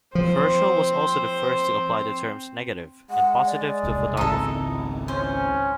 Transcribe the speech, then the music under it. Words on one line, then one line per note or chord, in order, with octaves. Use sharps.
Herschel was also the first to apply the terms "negative" and "positive" to photography.
F3 C4 C5
G#3 F#5
D5
E1 C2
G#1 C#2 C4 D#4 E4 A4
C#4 C5